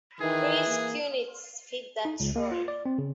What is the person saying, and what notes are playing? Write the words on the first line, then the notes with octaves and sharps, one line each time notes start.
Chris Kunitz fit that role.
D#3 E3 G#4
A#3
D#4
C#2
A#3
F4
D5
C4
C#3